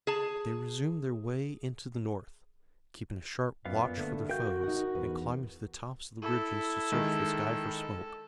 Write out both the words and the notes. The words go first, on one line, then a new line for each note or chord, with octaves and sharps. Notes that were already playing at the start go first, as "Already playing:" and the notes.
They resumed their way into the north, keeping a sharp watch for their foes, and climbing to the tops of the ridges to search the sky for smoke.
G#4 A5
F#2 A#2 B3 F5
D3 A3 A#3
F#4 A#4 F5 G5 G6
D#4 F#5
E2 D#4 B4
E4 A4
D#3 G#3